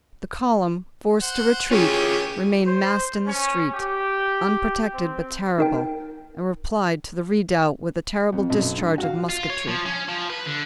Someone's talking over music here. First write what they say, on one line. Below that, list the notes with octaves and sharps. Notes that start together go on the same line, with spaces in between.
The column, forced to retreat, remained massed in the street, unprotected but terrible, and replied to the redoubt with a terrible discharge of musketry.
C5 F#5
E3 C#4 F4 G4 G#4
C5
C#4
G4
C4
D#4 A#4 G5
F2
B1 F#2
G2
F#4 F5
F4
C#5
F3
C#4
F3
B4
D3